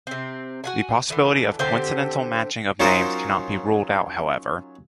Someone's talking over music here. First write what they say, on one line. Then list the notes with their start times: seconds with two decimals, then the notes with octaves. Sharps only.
The possibility of coincidental matching of names cannot be ruled out however.
0.07 C3 C4
0.64 F#4 F#5 G#5
1.10 D3 E3
1.59 D3 C4 G4 C5
2.80 F#3 C#4 D#4 F4 A#4 C5